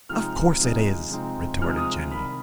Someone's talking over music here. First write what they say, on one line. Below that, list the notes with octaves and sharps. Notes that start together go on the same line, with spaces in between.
"Of course it is," retorted Jenny.
C3 F3 G#3 C4 D#4 F6
C3 F3 G#3 C4 D#4
C3 F3 G#3 C4 D#4
C3 F3 G#3 C4 D#4 F6
D#6
C2 C3 D#3 B5